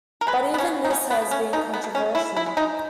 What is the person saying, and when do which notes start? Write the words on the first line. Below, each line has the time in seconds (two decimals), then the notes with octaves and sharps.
But even this has been controversial.
0.21 A#4
0.27 G#3 B4
0.54 B3
0.58 B2 C#4
0.85 D#4
0.90 B3 C#4
1.10 B3
1.22 B2
1.31 C#4
1.53 B2 D#4
1.73 B3
1.84 B2
1.95 C#4
2.15 B2 E4
2.36 E4
2.46 G#3
2.57 D#4